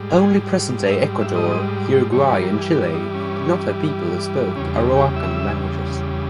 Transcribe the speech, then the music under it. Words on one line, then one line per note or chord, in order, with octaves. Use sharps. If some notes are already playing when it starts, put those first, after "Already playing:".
Only present-day Ecuador, Uruguay and Chile did not have peoples who spoke Arawakan languages.
Already playing: G#2 G3
G#4
E5
E5
D#5
G2 E3 G3 C#5
B4
A#4
G#4
G4
D#4
C#4
E2 C#3 G3 C#4
D#4
G4
E5